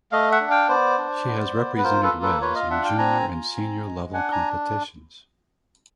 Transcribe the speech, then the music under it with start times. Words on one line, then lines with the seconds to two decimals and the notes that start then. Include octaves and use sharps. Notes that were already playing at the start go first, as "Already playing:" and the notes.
She has represented Wales in junior and senior level competitions.
0.12 A3 D#5 F5
0.31 E5 F#5
0.40 D4
0.50 F5 G5
0.69 B3 C5 D5
0.98 D4
1.27 B3
1.56 B3
1.78 B4
1.84 F4 A#4 C5
2.03 A4 B4
2.12 A#3
2.22 A4 B4
2.41 F4 B4 C#5
2.55 D#5 F5
2.70 D4 E5 F#5
2.84 F5 G5
2.98 C4 G#5 A#5
3.28 F4
3.56 C4
3.85 G#3
4.13 D4 F#5 G#5
4.32 G#5 A#5